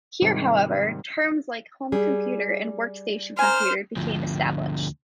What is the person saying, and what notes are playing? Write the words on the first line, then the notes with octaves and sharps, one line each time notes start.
Here however, terms like home computer and workstation computer became established.
G#2 C3 D#3 G3
G3 G#4
C5 G#5 A#5 F6
D2 F3